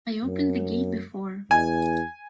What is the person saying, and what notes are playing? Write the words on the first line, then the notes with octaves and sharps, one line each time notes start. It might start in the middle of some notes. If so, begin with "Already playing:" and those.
I opened the gate before.
F#2
E2 G#5